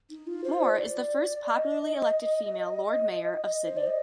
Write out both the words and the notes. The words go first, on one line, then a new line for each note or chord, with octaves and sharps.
Moore is the first popularly elected female Lord Mayor of Sydney.
D#4
F4
C5
D5
D#5
C5
D5
D#5